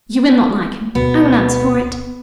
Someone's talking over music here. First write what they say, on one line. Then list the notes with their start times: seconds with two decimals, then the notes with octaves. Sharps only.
"You will not like him, I will answer for it."
0.95 D2 B2 B3